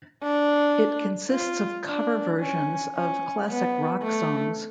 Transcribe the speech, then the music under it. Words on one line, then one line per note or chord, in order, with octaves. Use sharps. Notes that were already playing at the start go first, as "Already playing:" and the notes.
It consists of cover versions of classic rock songs.
D4
F4
D4
C#4
C#4
B3
A3